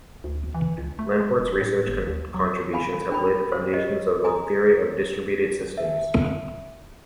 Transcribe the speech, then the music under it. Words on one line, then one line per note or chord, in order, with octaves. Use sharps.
Lamport's research contributions have laid the foundations of the theory of distributed systems.
D2
E3
C#2
A3
G#3
E1
A2
G1
D#2
F#3
F5 G#5 B5
D4 G5 B5
C5
G4 C#5 D#5
G#5 A#5 D#6
E5